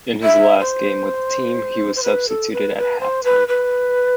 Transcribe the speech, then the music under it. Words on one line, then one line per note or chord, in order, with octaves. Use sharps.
In his last game with the team he was substituted at half-time.
E5
C5
C5
B4
A4
B4
B4
C5
B4
B4